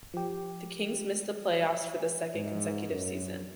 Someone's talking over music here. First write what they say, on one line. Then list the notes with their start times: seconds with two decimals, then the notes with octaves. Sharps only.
The Kings missed the playoffs for the second consecutive season.
0.14 F3 G4
2.35 G#2
2.90 F#2